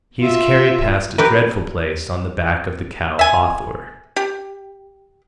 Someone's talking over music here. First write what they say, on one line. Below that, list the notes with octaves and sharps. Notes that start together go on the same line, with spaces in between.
He is carried past a dreadful place on the back of the cow Hathor.
F4 E5
G4 A#4 B4
E5 G#5
G4